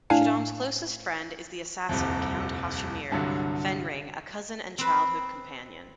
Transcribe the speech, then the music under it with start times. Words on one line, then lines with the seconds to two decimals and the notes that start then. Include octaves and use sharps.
Shaddam's closest friend is the assassin Count Hasimir Fenring, a cousin and childhood companion.
0.10 A2 D4 F5 G#5 C7
1.89 D#1 C2 F2
3.11 C2 G2 D3 F#3
4.78 C4 B4